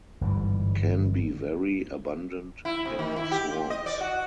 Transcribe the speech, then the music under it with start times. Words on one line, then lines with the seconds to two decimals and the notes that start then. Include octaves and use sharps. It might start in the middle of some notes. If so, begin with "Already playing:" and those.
Can be very abundant in swamps.
0.21 G1 G#2 E3 G3
2.65 E4
2.85 C3
2.99 D#3
3.16 E4
3.31 G4
3.51 F4
3.70 D#5
3.86 D5
4.01 F#4